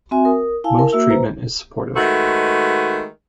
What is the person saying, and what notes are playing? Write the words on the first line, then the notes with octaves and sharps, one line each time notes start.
Most treatment is supportive.
C4 F#4 E5 G#5
A#4 D#6
E4 F5 G#5 A5
A#4
A#3 F#4 E5 E6
B4 C5 A#5
D#3 G#3 A3 F#4 B4